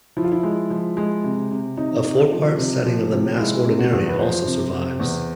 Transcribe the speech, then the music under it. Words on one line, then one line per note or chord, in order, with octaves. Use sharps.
A four-part setting of the Mass Ordinary also survives.
F3 E4
F4
E4
G#3
F3
G#3
C3
C3
C3 D#4
C3
F3
C3
F3
C3
F4
G#3 E4
C3
F#4
E2
B4
F3 C5
C3
C3
E2